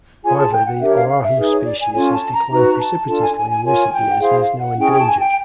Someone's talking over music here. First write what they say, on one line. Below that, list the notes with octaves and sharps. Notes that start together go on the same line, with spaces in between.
However, the Oahu species has declined precipitously in recent years and is now endangered.
F4 G#4 C#5 G#5
A5
G5
F#5
D4 G4 A#4 C#5 E5
F5
F5
E5
D#4 G#4 B4
C#5
D5
G#5
C#4 F4 A4 C#5 G#5
A5
A#5
D#4 F#4 B4 A#5
A5
D4 F4 A4 A5
G#5
G#5
G#5
F4 A#4 C#5 G#5
G5
F#5
E4 G#4 C5 F5
F5
F#5
C#4 E4 G#4 G5
G5
A5
G#5
G5